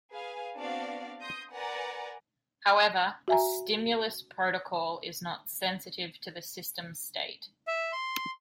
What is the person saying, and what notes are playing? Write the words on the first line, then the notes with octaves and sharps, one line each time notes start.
However a stimulus protocol is not sensitive to the system state.
G#4 B4 F5 G#5
B3 C4 D4 F#4 D5 F5
C6 D#6 G6 A#6
A#4 B4 D5 F#5 G#5 A#5
F#4 E5 G#5 A#5
E5
C6